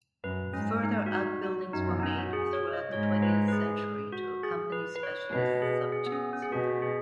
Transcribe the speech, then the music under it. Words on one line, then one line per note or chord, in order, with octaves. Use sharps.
Further outbuildings were made throughout the twentieth century to accompany specialist subjects.
F#2 B4
G#2 C#4
D#4
F#4
D#4
F#4
F#2 D#4
B3
D#4
C#4
F#4
G#4
C#5
D#5
G#2 C#5
B4
B4
G#4
F#4
G#4
B4
B4
C#5
B2 B4
G#4
G#4
B3
C#4
C#4
G#4
B2 F#4
G#4